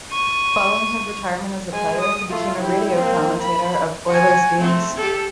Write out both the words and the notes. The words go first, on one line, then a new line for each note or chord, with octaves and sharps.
Following his retirement as a player, he became a radio commentator of Oilers' games.
C#6 D#7
G#3 G#5
D#6
A3 F4
E4 G4
A#3 C4
B5
F#4 G#5
A3 C4
G4 A4